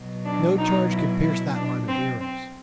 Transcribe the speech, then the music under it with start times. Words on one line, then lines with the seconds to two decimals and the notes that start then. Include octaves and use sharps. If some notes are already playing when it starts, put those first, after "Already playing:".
No charge could pierce that line of heroes.
Already playing: B2 F#3
0.26 D4
0.58 D#4
0.91 E4
1.23 E4
1.55 D4
1.88 C4
2.20 C4